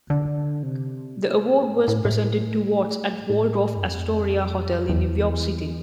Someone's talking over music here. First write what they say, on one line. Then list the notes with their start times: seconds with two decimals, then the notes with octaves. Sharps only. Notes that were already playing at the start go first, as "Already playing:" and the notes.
The award was presented to Watts at the Waldorf-Astoria Hotel in New York City.
0.10 D3
0.63 C3
1.16 A#2
1.69 A2
1.88 A2
2.05 A2
3.30 A2
3.76 G2
3.83 F2
4.89 E2